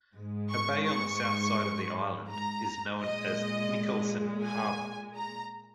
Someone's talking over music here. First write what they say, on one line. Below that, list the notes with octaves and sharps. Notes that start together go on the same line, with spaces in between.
A bay on the south side of the island is known as Mikkelsen Harbor.
G#2 G#3
C#6
C#6
A#5
A#2 G#3 D#5
G#5
A#5